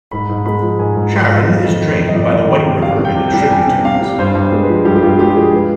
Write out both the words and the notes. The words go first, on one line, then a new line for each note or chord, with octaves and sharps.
Sharon is drained by the White River and its tributaries.
G#2 B5
G#2
G#3 B5
F3
G#2 G#5
G#2
G#3
F5
F3
F2 D#5
F2
D#3 C5
C3
D#5
F2 D5
F2
D#3
C3
G3 F5
C3
G5
C3
G5
G3
G3 G#5
C3
C3 F5
G3
G2 C5
G2 C5
G#3
B4
F3
G2 G4
G4
G2 F4
G#3 G4
F3 G#4
G#3 B4